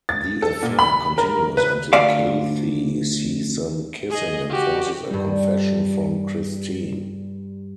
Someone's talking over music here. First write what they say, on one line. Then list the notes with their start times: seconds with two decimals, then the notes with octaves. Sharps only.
The affair continues until Kathy sees them kissing and forces a confession from Christine.
0.09 A6
0.42 A4
0.63 A#2
0.79 B5
1.18 A#4
1.57 B4
1.93 D2 D5 F5
4.10 G#4 D#5
4.50 F#4 G4
5.10 G2 G3